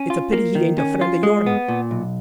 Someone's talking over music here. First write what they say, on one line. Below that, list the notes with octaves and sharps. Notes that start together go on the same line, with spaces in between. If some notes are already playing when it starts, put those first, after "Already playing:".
It's a pity he ain't a friend o' yourn.
Already playing: C#4
F4
A#3
D#3
C#4
F4
G#3
B3
A#2
B1